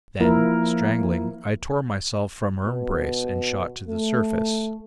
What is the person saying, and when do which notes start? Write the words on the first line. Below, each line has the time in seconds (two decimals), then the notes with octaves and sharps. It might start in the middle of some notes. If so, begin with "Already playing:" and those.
Then, strangling, I tore myself from her embrace and shot to the surface.
0.20 F3 A#3 E4 A#4
2.61 B2
3.88 A3